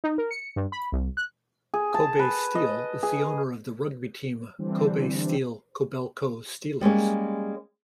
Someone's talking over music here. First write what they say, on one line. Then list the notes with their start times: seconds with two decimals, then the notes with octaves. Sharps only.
Kobe Steel is the owner of the rugby team Kobe Steel Kobelco Steelers.
0.04 D#4
0.18 A#4
0.31 C#7
0.56 G2
0.72 B5
0.92 C2
1.17 F#6
1.74 G#4
1.94 A5
2.19 B4
2.55 D#5
3.03 G#4
4.58 D3 E3 G3 C4 D4
6.81 G3 G#3 A#3 C#4